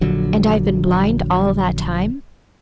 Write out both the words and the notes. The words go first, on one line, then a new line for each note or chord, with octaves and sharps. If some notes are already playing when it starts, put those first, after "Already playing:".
"And I've been blind all that time?"
A#1 D3 F#3